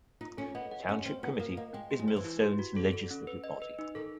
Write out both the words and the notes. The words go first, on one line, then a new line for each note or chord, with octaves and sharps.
The Township Committee is Millstone's legislative body.
D#4 F4
C#4 A4
B3 D#5
F#5
C#4 G4
C4 C5
B3 F4
A#3 A#4
A#3 D#5
G#3 G5
G4
G#3
G3 C5
E3
E4
G4
F#4
A4
D3 A4
C#4
B4
D#5
B4
D#4
D#3 A4